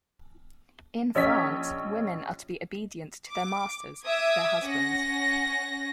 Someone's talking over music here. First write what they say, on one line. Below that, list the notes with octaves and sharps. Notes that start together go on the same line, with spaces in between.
In France, women are to be obedient to their masters, their husbands.
A#1 C#4 C#5 D#5 B6
D6
E5 D6 D#6 G#6
C#4 F#5 A#6